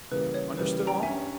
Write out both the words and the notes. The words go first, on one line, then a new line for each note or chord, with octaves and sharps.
Understood all?'
C#3 E3 G3 A#3 B4
C#5
C#3 E3 G3 A#3 B4
G5 A#5
G2 G3 C#4 E5 G#5